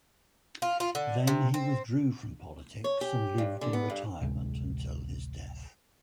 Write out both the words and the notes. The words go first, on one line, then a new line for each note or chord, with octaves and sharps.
Then he withdrew from politics, and lived in retirement until his death.
F4
F4
D3
C3
C4
C#5
G4
G2
D3
B3
G2
A1 D2 C3 G#3